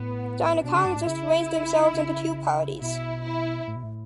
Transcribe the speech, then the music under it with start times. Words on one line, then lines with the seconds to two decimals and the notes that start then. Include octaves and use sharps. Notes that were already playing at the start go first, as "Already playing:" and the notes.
Gynecologists ranged themselves into two parties.
Already playing: A2 B3
0.63 B2 D4
0.74 C#3
0.85 G2
0.96 A2
1.07 C#3 E4
1.94 C#3
2.80 B2 E4
3.24 E4
3.67 A2
3.76 B2
3.83 A2